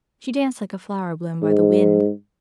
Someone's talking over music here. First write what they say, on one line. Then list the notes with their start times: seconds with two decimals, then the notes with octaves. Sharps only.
She danced like a flower blown by the wind.
1.43 G#2